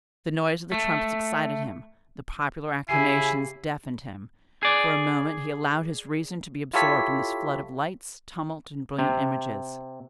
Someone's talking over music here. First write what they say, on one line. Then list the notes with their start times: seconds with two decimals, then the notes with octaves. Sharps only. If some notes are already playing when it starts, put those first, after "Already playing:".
The noise of the trumpets excited him--the popular acclamations deafened him: for a moment he allowed his reason to be absorbed in this flood of lights, tumult, and brilliant images.
0.72 A3
2.89 C#3 E4 G4 G#5 C7
4.63 G#4 D5
6.74 E4 F4 G4 A4 C#5 B6
8.99 C3